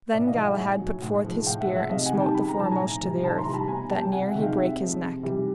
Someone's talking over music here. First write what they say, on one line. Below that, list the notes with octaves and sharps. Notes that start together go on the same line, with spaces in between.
Then Galahad put forth his spear and smote the foremost to the earth, that near he brake his neck.
A2 D5 E5
D#5 F5
E3 G#3
E5 F#5
A2 F#5 G#5
F#3
A2
F3 G#3
A2 F5 G5
E5 F#5
F3 G#3
E5 F#5
C3 D#5 F5
F#5 G#5
D#3 G3
G5 A5
C#3 B5
A#5
F3 G#3 A5
G#5 A#5
A2
E3 G3
A2 A5 B5
A#5 C6
E3 G3
A5 B5
B2 G#5 A#5
G3 G5 A5
C3 F#5 G#5
E5 F#5
D#3 G#3
F5 G5
C3 E5 F#5
F3 G#3
C3
E3 G3